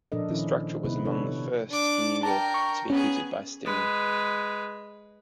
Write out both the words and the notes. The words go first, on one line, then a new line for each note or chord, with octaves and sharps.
The structure was among the first in New York to be heated by steam.
A#2 F3 D4 A4 A#4 D#5
D#3 F3 C#4 E4
C3 B3 D#4 E4 B4
B3 D4 D#4 A4 B4 C#5
D4 D6
A#4 G5 A5
C#6
B3 C#4 G#4
G#3 B4